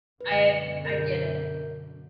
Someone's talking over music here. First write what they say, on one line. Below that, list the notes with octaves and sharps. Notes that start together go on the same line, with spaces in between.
I I get it.
F#2 B2 D3 B4
A#4 G6